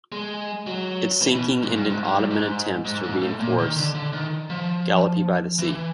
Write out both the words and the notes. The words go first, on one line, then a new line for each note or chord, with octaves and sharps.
Its sinking ended Ottoman attempts to reinforce Gallipoli by sea.
G#3
F#3
E3
B2
G#2
G2
G#2
G#2
G2
G#2
G#2
G#2
A2
A#2
D#3
D3
D3
D#3
F3
E3